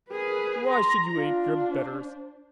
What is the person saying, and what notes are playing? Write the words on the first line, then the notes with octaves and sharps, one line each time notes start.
Why should you ape your betters?
G#4 A#4 B4
A#5 C6
D4 F4
C5